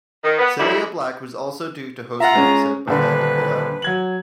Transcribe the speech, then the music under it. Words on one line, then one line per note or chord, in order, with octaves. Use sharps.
Cilla Black was also due to host an episode, but had to pull out.
D#3
B3
D2 G2 G3 G#3 E4
F4 E5 F#5 A#5
G#3 C#4
D#1 D3 B4
F#3 G#6 F#7